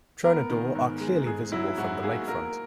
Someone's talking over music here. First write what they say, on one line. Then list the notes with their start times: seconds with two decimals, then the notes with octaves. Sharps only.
Tronador are clearly visible from the lakefront.
0.24 B3 A#4
0.50 D#3
0.75 G#2
1.00 G#3
1.26 G#2 G#4
1.52 F#3 E4
1.77 G#2 F#4
2.03 A#3 G#4
2.28 A#3 A#4